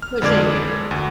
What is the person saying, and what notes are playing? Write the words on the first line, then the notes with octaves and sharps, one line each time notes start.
Pushing you.
F6
F2 D3 G#3 D5 D6 G#6
D2